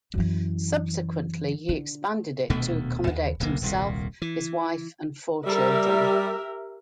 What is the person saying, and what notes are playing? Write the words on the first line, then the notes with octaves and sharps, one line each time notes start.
Subsequently, he expanded it to accommodate himself, his wife and four children.
F#2 E3
D3
D#1 D2 B2 A3
D#2
D1 B1 D3 A#3
D#1 C2 A#2
E3
G3 G4 A#4 E5